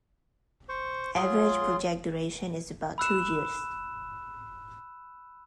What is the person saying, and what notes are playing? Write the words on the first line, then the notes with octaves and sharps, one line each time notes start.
Average project duration is about two years.
C5 C#6
F#3 F4 G#4 C6
B5 E6 F#6 E7